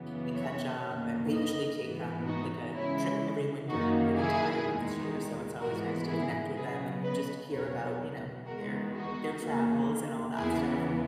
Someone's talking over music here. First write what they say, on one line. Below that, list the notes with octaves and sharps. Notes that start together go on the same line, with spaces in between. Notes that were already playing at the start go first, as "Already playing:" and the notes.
we catch up, and they usually take, um, like, a trip every winter, they went to Ireland this year so it's always nice to connect with them and just hear about, you know, their their travels and all that stuff.
Already playing: F#2 C#3 E3 B3
C#5 E5
F#2 D#3 A#3
B4 D#5
G#2 E3 B3
D#4 F#4
C#3 E3 G#3 C#4 E4
F#2 D#3 A#3 D#4 F#4
E4 G#4
E2 D#3 G#3
G#2 E3 G#3 B3 F#4 A#4
E4 G#4
C#3 F#3 B3 G#4 B4
B4 D#5
E2 B2 F#3 B3 A#4 C#5
E2 D#3 G#3 B3 F#4 A#4
D#4 F#4
E2 D#3 A#3
E2 C#3 E3 B3 E4 G#4